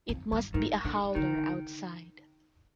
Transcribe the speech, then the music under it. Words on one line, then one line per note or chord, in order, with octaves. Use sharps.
It must be a howler outside.
F2
G2
A2 D#3
A#2 D3
D3 D#3